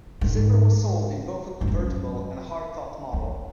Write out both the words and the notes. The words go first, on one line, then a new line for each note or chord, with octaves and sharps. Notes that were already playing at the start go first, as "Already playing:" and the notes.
The Zipper was sold in both a convertible and a hardtop model.
G#2
G#2
F#2
E2